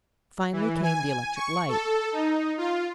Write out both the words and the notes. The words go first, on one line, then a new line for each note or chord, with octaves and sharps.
Finally came the electric light.
E3
G#5
C#6
A4
D#4
F4